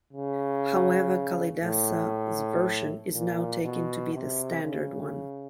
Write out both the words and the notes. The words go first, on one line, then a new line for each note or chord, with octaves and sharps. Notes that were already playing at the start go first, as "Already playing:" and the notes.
However, Kalidasa's version is now taken to be the standard one.
C#3
A2
A#2
B2
C3
C#3